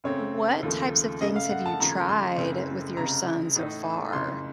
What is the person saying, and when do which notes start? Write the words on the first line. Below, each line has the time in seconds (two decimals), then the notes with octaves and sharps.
What types of things have you tried with your son so far?
0.04 F#2 C#3 A3 C4 C#5
0.63 D#2 C#3 F3 A3
1.21 F#2 C#3 A3 D#5
1.36 F5
1.50 F#5
1.66 A5
1.79 D#2 C#3 F3 A3 A#5
2.09 C6
2.37 F#1 F#2 C#3 A3 C4
2.96 F1 F2 C#3 A#5
3.55 A1 A2 A3 D#4
4.13 F#1 F2 C#3 C6